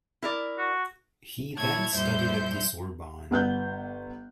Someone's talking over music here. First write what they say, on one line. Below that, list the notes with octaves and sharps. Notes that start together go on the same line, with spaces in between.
He then studied at the Sorbonne.
E4 A#4 D5
F#4
A#2 E4 C#5 A5 G#6
F2 A#2 G3 E4 C5 G6
G1 B3 F#6 G6